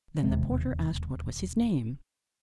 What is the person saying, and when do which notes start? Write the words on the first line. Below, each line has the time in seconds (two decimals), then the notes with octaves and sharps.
Then the porter asked what was his name.
0.23 E1 D#2 C3 G#3